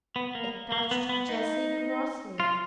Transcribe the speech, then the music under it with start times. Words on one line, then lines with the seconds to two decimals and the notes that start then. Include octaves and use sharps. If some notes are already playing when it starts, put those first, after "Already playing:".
It touched Jessie grossly.
0.16 B3
0.35 A#3
0.72 A#3
0.91 B3
1.09 B3
1.29 D#4
2.40 F4